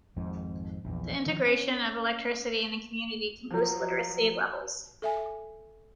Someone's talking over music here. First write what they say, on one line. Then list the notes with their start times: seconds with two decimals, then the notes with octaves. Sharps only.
The integration of electricity in a community can boost literacy levels.
0.16 G#1 F2 G#2
0.85 A#1 E2
1.26 D#3 F3
1.46 C#4
3.51 F3 F#3
5.02 A4 E5 G#5